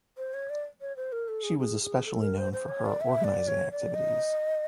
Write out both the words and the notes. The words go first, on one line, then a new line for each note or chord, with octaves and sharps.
She was especially known for her organizing activities.
C5
C#5
D5
C#5
C5
A#4
A4
G#4
G#4
G#4
A4
A#4
C5
C5
C#5
D5
E5
D5
C#5
D5
D#5